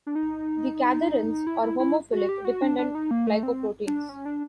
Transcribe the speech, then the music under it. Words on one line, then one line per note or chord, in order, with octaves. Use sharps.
The cadherins are homophilic -dependent glycoproteins.
D4
D#4
E4
E4
E4
F#4
G4
F#4
D4
D4
D#4
A#3
A3
C4
D4
C#4
D4